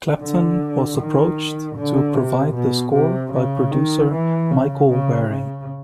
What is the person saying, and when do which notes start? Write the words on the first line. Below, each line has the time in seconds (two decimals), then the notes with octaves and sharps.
Clapton was approached to provide the score by producer Michael Wearing.
0.18 D3
0.97 D#3
1.76 D3
2.15 C3
2.54 B2
2.93 C3
3.33 C#3
3.71 D#3
4.12 E3
4.51 C#3
4.90 C#3
5.30 C#3